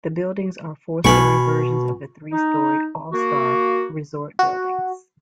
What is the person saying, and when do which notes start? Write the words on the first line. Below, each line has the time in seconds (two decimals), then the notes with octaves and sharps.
The buildings are four-story versions of the three-story All-Star Resort buildings.
1.04 B1 B2 F5 G#5 B5 C#6
2.31 D#4
3.13 A#3 F#4
4.39 F#4